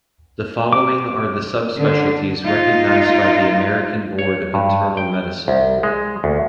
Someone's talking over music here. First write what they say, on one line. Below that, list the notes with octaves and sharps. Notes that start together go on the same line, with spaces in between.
The following are the subspecialties recognized by the American Board of Internal Medicine.
D6
D3
D#4 F4
C#5
G2
G5
C2
G#3
D2